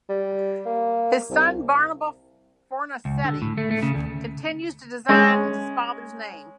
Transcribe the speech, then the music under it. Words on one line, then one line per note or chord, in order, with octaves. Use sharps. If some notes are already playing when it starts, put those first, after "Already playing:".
His son, Barnaba Fornasetti, continues to design in his father's name.
G3
A#3
C2
C#2
D3
A2
A3
A3
C#3
D2
G#3 C#4